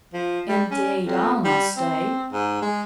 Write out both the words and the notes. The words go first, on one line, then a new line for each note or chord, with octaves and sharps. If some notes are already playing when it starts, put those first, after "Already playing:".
Indeed, I'll not stay.
F3
G3
C#4
F2
G3
C4
G#2
G#3